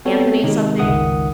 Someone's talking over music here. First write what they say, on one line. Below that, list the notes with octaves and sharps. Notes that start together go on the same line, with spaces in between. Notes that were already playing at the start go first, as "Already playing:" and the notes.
Anthony something,
B3 C4 F#4 A4 C#5
C3 D#3 G#3 D#4
G1 C#2 D#3 E5 F#5 D#6